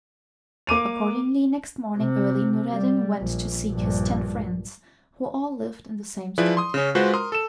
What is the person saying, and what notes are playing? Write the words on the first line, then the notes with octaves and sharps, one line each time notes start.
Accordingly next morning early Noureddin went to seek his ten friends, who all lived in the same street.
A#3 D6 D#7 F7
C3
G3
A#1
A#1 G2
F3 E4 G#4 B4 D5
C6 D#6
C#3 C#4
G#3 F4 F#4 B4 C5
A#4 C6 D#6
A4 E7